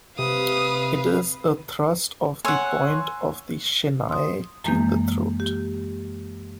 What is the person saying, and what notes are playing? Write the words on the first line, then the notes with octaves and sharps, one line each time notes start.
It is a thrust of the point of the "shinai" to the throat.
C3 B4 F5 D#6
C#5 F#5 G#5 C6 E6
C6 D#6
F#2 E3 G#3 A#3 D#4 G6
G4